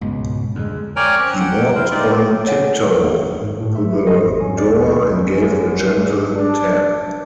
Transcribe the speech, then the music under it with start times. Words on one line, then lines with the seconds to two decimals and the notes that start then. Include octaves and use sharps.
He walked on tiptoe to the door, and gave a gentle tap.
0.01 C#2 G#2 B2
0.55 F2 D3 G#3
0.96 A#4 C#5 D5 G5 G#5 A#5
1.19 C4 C#4 F#6
1.40 F#5 G5
1.75 E4 A#4 C5
1.91 C4 D#4 F4 G4 D5
2.47 C#5 F#5 G#5
3.42 G#2
3.60 A2
3.75 E5
3.93 E4
4.07 D#5
4.22 G#1
4.40 C#4
4.58 D5
4.70 D#2
5.05 F#2
5.83 G#2
6.35 D4